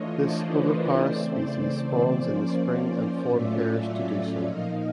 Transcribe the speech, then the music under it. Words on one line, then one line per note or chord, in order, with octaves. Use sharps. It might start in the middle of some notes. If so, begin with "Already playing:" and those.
This oviparous species spawns in the Spring and form pairs to do so.
Already playing: E3 A3 D4 F4 C#5 D#5
C5 D5
B4 C#5
A#4 C5
C#3 E3 A3 C4 C5 D5
F3 A#3 C#4
A2 F#3 A3 C#4 F4 D5 E5
A#2 F3 A#3 D#4 D#5 F5